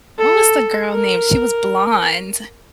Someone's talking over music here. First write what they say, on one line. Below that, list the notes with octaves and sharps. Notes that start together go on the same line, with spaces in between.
what was the girl name? She was blonde.
A4
A#4